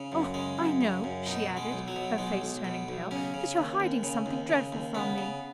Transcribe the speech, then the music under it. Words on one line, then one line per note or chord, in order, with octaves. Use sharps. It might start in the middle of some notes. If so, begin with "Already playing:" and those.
Oh, I know," she added, her face turning pale, "that you are hiding something dreadful from me.
Already playing: C#3
F#2
C#3 G#3
F#2
C#3
F#2
B2 D#4
B2
G#3
B1
F#3
B2
B1 G#3
B1
B2
B1
C#3 C#4
C#3
D#2
D#2
C#3
D#2
C#3
D#2
C#3 B3
C#3